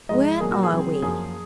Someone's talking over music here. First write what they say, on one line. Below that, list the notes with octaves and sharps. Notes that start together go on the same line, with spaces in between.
'Where are we?
G#2 F3 G#3 D#5
A#2 F#3 A#3 G#4
F#4
G#4
C#3 F#3 C4
F#2 F3 A#3 G#4